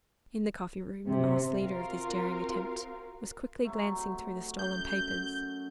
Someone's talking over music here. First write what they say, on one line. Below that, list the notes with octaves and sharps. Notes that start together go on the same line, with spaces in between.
In the coffee-room the masked leader of this daring attempt was quickly glancing through the stolen papers.
C3
C4 F4 F#4 A#4 F5
C3 F#3 A3
F#2 G6